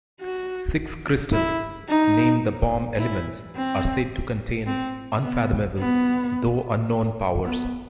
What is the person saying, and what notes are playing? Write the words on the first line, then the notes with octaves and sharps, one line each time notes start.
Six crystals, named the "Bomb Elements," are said to contain unfathomable, though unknown, powers.
F#4
E4
D#4
E4
C4
C4
B3
B3
B3